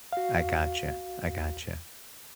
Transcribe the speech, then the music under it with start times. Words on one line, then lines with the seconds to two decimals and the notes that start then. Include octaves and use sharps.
I gotcha, I gotcha.
0.13 F#4 F5